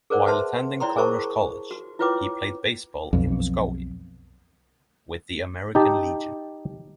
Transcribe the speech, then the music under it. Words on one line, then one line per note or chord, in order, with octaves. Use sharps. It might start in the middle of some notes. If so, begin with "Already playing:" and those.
While attending Connors College, he played baseball in Muskogee with the American Legion.
G#4 A#4 C5 D5 F#5
B4 C5 E5 A5 C6
E4 C#5 D5 G5 A#5 C6
G#4 A#4 C5 A5 C#6
F#4
E4 F4 B4 C#5 G5 D6
B1 F2
D#4 G4 A5